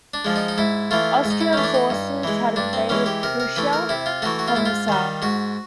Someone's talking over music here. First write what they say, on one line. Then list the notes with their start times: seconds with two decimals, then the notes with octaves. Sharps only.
Austrian forces had invaded Prussia from the south.
0.14 D4
0.25 F3 G#3
0.36 D#4
0.48 D#4
0.58 G#2 E4
0.91 E3 A3 F4
1.24 G#2
1.30 D#4
1.41 E4
1.53 E3 A3 C#4
1.64 D4
1.74 D#4
1.90 G2
2.24 E3 G#3
2.56 G2 D4
2.73 C4
2.89 E3 G#3 C#4
3.06 G4
3.23 C3 A#4
3.40 A#4
3.56 E3 A3 B4
3.73 A#4
3.89 C3 E4
4.06 F4
4.22 E3 A3 F#4
4.39 F#4
4.48 F4
4.55 G#2 E4
4.65 F4
4.88 D#3 G3
5.22 G#2 F#4